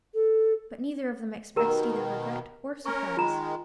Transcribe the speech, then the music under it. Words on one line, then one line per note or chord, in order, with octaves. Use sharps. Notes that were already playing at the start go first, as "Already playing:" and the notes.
But neither of them expressed either regret or surprise.
A4
B2 D#3 G4 A#4 A#5
C#4 A#4 C#6
D#3 G#3 F4 A#5 B5